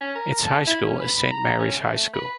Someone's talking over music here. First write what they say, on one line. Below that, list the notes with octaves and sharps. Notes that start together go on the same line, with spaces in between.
Its high school is Saint Marys High School.
C#4
A#4
A4
E4
C#4
B4
B5
A#5
C#4
A3
B4